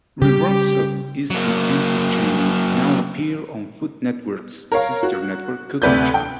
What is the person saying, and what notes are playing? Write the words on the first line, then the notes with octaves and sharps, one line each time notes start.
Reruns of "Easy Entertaining" now appear on Food Network's sister network Cooking Channel.
C#3 G3 G4
F#3 A#3
A#4 C#5 F5
F#4
D2 C3 B4 D5 G6
G5